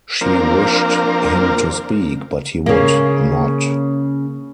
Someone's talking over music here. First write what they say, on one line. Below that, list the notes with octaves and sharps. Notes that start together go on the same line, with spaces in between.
She wished him to speak, but he would not.
F3 A#3 C4 D4 A#4
C#3 A#3